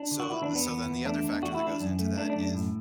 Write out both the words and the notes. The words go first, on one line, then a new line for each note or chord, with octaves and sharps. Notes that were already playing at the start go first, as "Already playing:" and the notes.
So so then the other factor that goes into that is
Already playing: D4
D3
F#4
E3 E4
D4
E2
B3
E2
E2
A3 D4
E2
A3 F#4
E4
E3
D4
F#2
A3
A3 D4
D4
F#2
A2